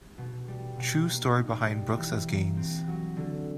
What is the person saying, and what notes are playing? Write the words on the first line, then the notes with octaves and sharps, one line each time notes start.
True Story Behind Brooks as Gaines.
B2
G3
B2
A#3
D#4
G3
E3
A#3
C4
F#3
D3